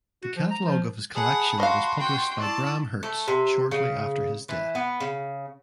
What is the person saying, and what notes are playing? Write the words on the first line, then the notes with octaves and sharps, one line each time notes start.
The catalog of his collection was published by Bram Hertz shortly after his death.
F#4
F3
A#5
F3
G#4 F#5 A5 B5
F#4 D#5 F5 C6
F#4 G5
E4 D5 A5 C#6
A3
C3
C#3
E3
B3
C#3